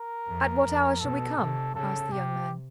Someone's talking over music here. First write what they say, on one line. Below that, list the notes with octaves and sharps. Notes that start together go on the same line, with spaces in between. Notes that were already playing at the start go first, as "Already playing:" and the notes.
"At what hour shall we come?" asked the young man.
Already playing: A#4
F2
F2
B2 A4
C3
C#3 A4
C3 G4